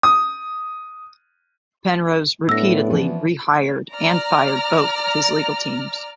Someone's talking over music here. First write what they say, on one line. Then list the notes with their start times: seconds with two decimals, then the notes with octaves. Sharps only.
Penrose repeatedly rehired and fired both of his legal teams.
0.03 D#6
2.49 A2 B3 D4 E6 A#6
2.89 E3 F3 C#4
3.92 D5 A#5 F6